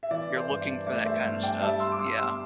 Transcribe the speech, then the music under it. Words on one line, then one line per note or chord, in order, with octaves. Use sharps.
you're looking for that kinda stuff. Yeah.
E5
E3 D5
C5
G2
D5
A3 D5
C5 E5
G2
D5 G5
G3 E5 A5
C6 E6
D6
G3 C6 E6
C6 E6